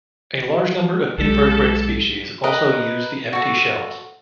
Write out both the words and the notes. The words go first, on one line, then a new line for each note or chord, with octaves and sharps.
A large number of invertebrate species also use the empty shells.
B1 G#3 G4 A4
A#4 B4 D#5
F#4 A4